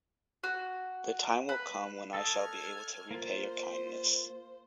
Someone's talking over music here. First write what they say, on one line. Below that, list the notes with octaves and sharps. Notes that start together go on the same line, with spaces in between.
The time will come when I shall be able to repay your kindness.
F#4
B4
A4 D#5 A5 F6 G#6
A#3 F4 C5